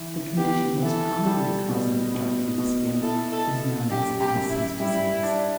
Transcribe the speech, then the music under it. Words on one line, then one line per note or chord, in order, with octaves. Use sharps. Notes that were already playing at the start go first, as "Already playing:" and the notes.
The condition most commonly causing the darkening of skin is known as Addison's disease.
Already playing: E3
B3 G4
E3 A4
G3
B2
B2
B2
E4 A4
A4
A3
F#2 G4
G4
F#2
E4
G3 E4
D4